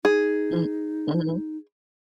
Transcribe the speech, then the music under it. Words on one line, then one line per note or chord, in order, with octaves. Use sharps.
Mm Mhm.
D#4 G#4